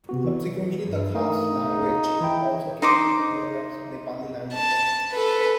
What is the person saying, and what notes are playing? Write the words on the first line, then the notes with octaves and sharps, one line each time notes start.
Subsequently, the Khas language also came to be known as "Nepali language".
C3 B3 F#4
E3
G2
A3 D#4 A#4 F5
E3 E4 G5
D#4 C5 D6
A5
A4 B4